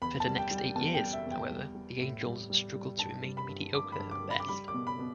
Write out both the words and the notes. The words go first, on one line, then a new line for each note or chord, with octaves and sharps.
For the next eight years, however, the Angels struggled to remain mediocre at best.
E2 B5
A5
G3
G5
G3
G5
E2 A5
G5
G3
E5
E2
G5
G3
G3
A2
G3
G3
G3
G2 A5
G3
B5
G2
G2 D6
B5
G2
D6
G3
B5
D6
G3 B5
D6
B2
B5
B2